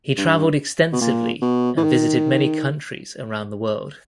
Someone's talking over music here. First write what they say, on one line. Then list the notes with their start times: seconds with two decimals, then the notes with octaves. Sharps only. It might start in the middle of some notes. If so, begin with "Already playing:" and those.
He traveled extensively and visited many countries around the world.
0.18 G2
0.93 B2
1.01 A#2
1.42 B2
1.77 E3
1.84 D#3